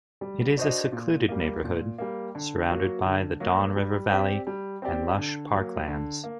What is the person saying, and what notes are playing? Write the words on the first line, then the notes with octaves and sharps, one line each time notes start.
It is a secluded neighbourhood, surrounded by the Don River Valley and lush parklands.
G3
D4 F#4 C5 D#5
A#2
G3 A#3
A#2
G3 A#3
D3
F#3 A#3 F#4
D3
F#3 A#3 F#4
G3
C4 G4 D5
G3
C4 G4 D5
D3
F#3 A#3
D3
A#3